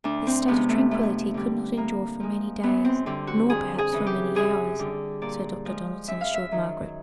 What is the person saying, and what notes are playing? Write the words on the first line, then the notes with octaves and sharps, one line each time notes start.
This state of tranquillity could not endure for many days, nor perhaps for many hours; so Dr. Donaldson assured Margaret.
D2 D4
C4
C3 F3 G#3 B3
A3
F2 A3
D3 G3
A2 A#3
F3 G#3
F#2 B3
C4
D3 G3 C4
F#4
F2 G#4
G#4
C#3 E3
G4
F#2 G#4
D3 G3
A#2 D5
F3 G#3
F#2 E5
F5
E5
D#3 F#3